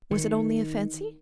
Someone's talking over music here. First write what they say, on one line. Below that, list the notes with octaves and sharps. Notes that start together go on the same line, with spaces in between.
Was it only a fancy?
D#3